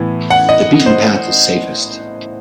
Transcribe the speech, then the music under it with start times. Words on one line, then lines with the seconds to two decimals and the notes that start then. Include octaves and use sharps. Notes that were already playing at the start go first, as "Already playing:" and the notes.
The beaten path is safest.
Already playing: A2 E3 B3
0.30 F#5
0.49 D#5
0.86 C5